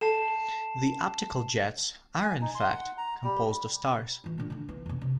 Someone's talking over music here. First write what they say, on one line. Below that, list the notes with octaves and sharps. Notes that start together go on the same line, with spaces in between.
The optical jets are in fact composed of stars.
A4 A5 C7 E7
G#5
D#4
C6
F#5
A#5
G3
E3 F4
A#2 D3
D3 D#3
E3 B3
F2 B2
C3